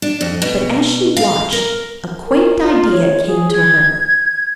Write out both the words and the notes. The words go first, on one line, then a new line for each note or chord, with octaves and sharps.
But as she watched, a quaint idea came to her.
D4
F2
B2
F5
A#4
A#4
F4
C#5
G#4
G#6